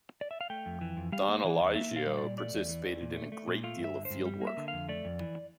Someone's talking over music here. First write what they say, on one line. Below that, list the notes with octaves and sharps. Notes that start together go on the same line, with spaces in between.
Don Elijio participated in a great deal of field work.
D5
E5
F5
A3 G5
F2
E3
F2
G3 F5
A#3
E3
E2
A#3 E5
A#2
F5
G3
D5
A#2
A3 D5
E2
E3
E2
A#2
A3
A3
A#2
A3 F4
G2
E5
D3
C5
G2
G3
A#3
E5
D3
F2 F5
A3 D5
F2
E3